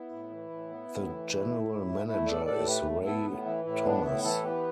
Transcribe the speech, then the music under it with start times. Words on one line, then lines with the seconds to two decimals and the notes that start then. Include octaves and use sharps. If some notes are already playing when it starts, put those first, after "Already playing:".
The general manager is Ray Thomas.
Already playing: B3 E4
0.10 A2
0.30 E3
0.50 A2
0.70 B3
0.89 A2
1.09 E3
1.28 A3
1.48 A2
1.68 A2
1.87 A3
2.07 A3 E4
2.26 A2 A4 D5
2.46 A2 A4 D5
2.66 A3 G4 B4
2.86 A2
3.05 B3 E4 A4
3.25 A2
3.45 E3 E4
3.64 A2 E4
3.84 B3 D4
4.04 A2 E4
4.23 E3 E4 A4
4.43 B3 G4 B4